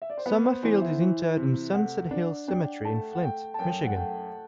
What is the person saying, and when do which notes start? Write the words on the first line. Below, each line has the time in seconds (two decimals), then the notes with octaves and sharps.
Summerfield is interred in Sunset Hills Cemetery in Flint, Michigan.
0.02 E5
0.10 D5
0.18 C5
0.26 B3 B4
0.44 C5
0.63 E3 C5
0.81 E5
1.00 E3
1.37 C3
1.74 A3 F#5
2.11 D4
2.48 D4 G5
2.85 A3 A5
3.13 F#5
3.22 A3 G5
3.54 A5
3.59 F#2 G5
3.86 F#5
3.96 A3 G5